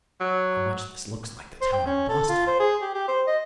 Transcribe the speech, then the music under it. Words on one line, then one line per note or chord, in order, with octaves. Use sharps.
How much this looks like the town of Boston!
F#3
C5
G5
C#4
A4
F4
C5
G#4
G4
G4
C5
D#5